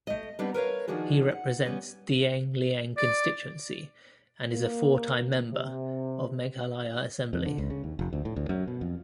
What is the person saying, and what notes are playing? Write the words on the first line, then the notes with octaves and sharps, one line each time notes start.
He represents Dienglieng constituency and is a four-time member of Meghalaya Assembly.
A3 D#5
G3 B3 C4 D4
A#4 B4 C#5 F5
D#3 F3 D4 F#4 G#4
F#5
G3 B3 C#4
D5
A#3
C3
F2
D3
C#2
C#3
D#2
F1
D2
A2
D2
F#2
B2
F2